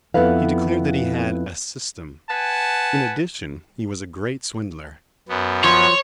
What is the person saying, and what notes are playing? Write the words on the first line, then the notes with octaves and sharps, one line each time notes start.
He declared that he had "a system." In addition, he was a great swindler.
F2 B3 E4 A4 B4 F5
B4 F#5 G#5 A5
F#2 B3
F3 C#5